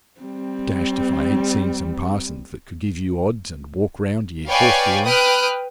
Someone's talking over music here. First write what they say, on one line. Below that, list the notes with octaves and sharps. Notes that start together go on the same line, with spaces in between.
'Dashed if I ain't seen some parsons that could give you odds and walk round ye at horse-dealin'.'
G3 C4
B4 C#5 D5 F5 G5 G#5
B4 G5 D#6 F6 F#6 D7